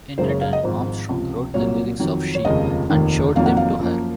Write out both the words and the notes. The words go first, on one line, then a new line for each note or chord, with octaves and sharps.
In return, Armstrong wrote the lyrics of "She" and showed them to her.
F#1 F#2 C#3 G#3 C5
C#5
F5
D#5
G#1 G#2 F3 C5
C#2 C3 F3
C2 A#2 F#3 A#3 C#5
F2 D#3 F#3
C#5
F1 D#2 C#3 F3 G#3 D#5
F1 D#2 D#3
F1 F2 D#3 F#3 A#3 F5
F#5
F5
F#2 F3 A#3